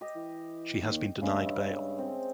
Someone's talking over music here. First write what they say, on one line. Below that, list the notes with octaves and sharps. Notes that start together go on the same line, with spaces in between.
She has been denied bail.
G4 D#5
E3
D#2
D2 C#3 G#3 E5
G2
C4